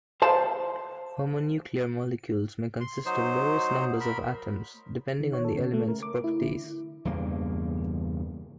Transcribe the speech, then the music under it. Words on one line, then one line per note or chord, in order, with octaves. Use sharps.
Homonuclear molecules may consist of various numbers of atoms, depending on the element's properties.
C5 F5 A5
C6
F#3 D#4 C5
A#4 B5
D#3
C#5
A4
C#3
A3
A#4
D6
E4
D3
E2 G2 C#3 A#3